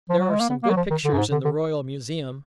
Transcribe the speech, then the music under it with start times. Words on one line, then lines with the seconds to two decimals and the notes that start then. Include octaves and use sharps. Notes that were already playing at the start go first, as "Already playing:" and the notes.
There are some good pictures in the royal museum.
0.09 F3
0.19 F#3
0.30 G#3
0.40 A#3
0.50 B3
0.63 A#3
0.70 F#3
0.76 F3
0.90 D#3
1.05 D3
1.13 F#2
1.18 G#2
1.32 D3
1.45 D3